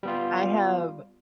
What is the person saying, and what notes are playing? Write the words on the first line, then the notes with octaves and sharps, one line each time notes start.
I have
G3 B3 F4